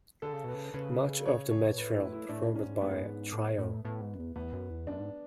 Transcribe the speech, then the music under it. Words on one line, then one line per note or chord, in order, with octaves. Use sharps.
Much of the material performed by Trio!
D3 A4
C#3
B2 B4
C#3
C#3 B4
C#5
C#5
B2
A2 B4
E4
E4
A2 D4
G#2 C#4
G#2 B3
A2
A2
A2 B3
G#2
F#2
E2
E2 B3
F#2
E2
F#2 D4
G#2